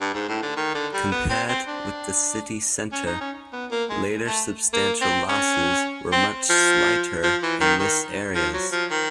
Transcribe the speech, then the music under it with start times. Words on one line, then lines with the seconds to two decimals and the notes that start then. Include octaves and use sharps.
Compared with the city centre, later substantial losses were much slighter in this areas.
0.01 G2
0.14 G#2
0.28 A2
0.42 D3
0.56 D#3
0.75 D3
0.93 G3
1.12 B3
1.30 C4
1.49 C4
1.68 D4
2.92 C#4
3.06 D#4
3.21 C#4
3.53 B3
3.71 A#3
3.90 G#3
4.27 A3
4.73 A#3
5.01 C4
5.29 C#4
6.12 C4
6.50 F3
7.23 F3
7.43 E3
7.61 D#3
7.80 D#3
8.35 F3
8.54 F#3
8.72 F3
8.91 D#3